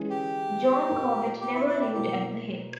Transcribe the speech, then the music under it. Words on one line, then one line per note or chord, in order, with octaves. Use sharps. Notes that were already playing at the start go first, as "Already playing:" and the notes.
John Corbett never lived at The Hill.
Already playing: E3 G#3 C#4
G4
A#2 A#3 D#4
G4
E4
E4
G4
B2 A#3 E4 G4